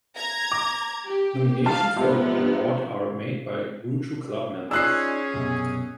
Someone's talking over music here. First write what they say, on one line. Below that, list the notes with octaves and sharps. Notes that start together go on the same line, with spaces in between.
Nominations for the award are made by Groucho Club members.
A#5 G#6
D6
G4
F5 A5
C3 F3 B3
C#4 D#4 F4 G#4 D5 E6 F#6 C7
C2 F#2 B2